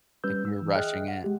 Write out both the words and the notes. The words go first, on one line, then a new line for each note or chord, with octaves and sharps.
Like, we were rushing it.
G3 C#4 B4 E6 G6
E6
E3
G#4 D#5 E5 G5 F6 F#6
F#5
C2 G#3 G4